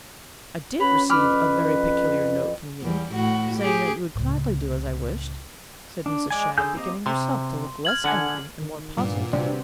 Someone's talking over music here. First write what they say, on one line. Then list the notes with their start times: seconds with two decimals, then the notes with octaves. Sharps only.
"I did receive a very peculiar note from you saying that you would gladly do as I wished," said Mrs. Shadd, beginning herself to look less angry and more puzzled.
0.80 C#4 F#4 B4 C#5 B5
1.09 F2 B4 B5 D6 F6
2.81 E2 G3
3.12 A2 F#4
3.59 G4 G#4
4.15 C#2 A2
6.06 D4
6.31 G#3 D5 G#5
6.58 D3 G#4 A4 G#5 G6
6.75 A#3 C4 G4 D#5
7.06 C3 C6
7.85 F6 G#6 F#7
8.04 D3 F#5 G#5
8.62 D#3
8.98 G2 A#2 B3
9.33 C3 G3 B3 D4 F#4